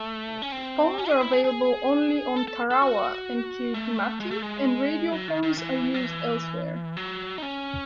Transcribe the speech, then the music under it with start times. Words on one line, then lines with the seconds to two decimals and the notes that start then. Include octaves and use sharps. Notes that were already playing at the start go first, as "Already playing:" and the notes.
Phones are available only on Tarawa and Kiritimati and radio phones are used elsewhere.
Already playing: A3
0.42 C#4
0.52 C4
0.98 C#4
1.10 G#4
1.21 E4
1.33 G#4
1.44 G#4
2.36 A4
2.48 A4
2.71 A4
2.82 F#4
3.74 A3
4.20 G#3
4.31 A3
4.42 G#3
5.12 F#3
5.28 D#3
5.43 D#3
5.58 E3
5.94 F#3
6.04 E3
6.97 F#3
7.38 D#4
7.42 C#4